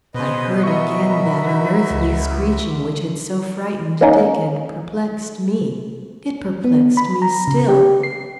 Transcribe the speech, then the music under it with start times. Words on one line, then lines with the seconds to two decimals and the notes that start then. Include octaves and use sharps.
I heard again that unearthly screeching which had so frightened Dick and perplexed me, It perplexed me still.
0.14 B2 G#4 B4 C5 D#5
0.63 F#4 A#4 B4 D#5 E5 B5 C#6
1.91 C#2
4.01 A#3 C#4 D#4
6.64 B3
6.97 B5
7.22 A#5
7.48 C#3
7.68 G4
8.03 C7